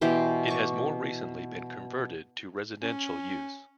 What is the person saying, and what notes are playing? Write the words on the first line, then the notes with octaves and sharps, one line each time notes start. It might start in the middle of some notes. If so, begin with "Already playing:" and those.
It has more recently been converted to residential use.
B2 E3 G4 C5
C#6 D6
C#4